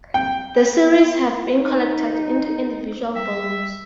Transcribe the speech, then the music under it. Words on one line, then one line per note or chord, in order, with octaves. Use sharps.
The series has been collected into individual volumes.
G5
D#4
G3 E5